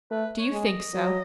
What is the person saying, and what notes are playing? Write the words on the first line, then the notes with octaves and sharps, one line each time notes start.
"Do you think so?"
A3 B4
C#5
G#3
D#5
F#3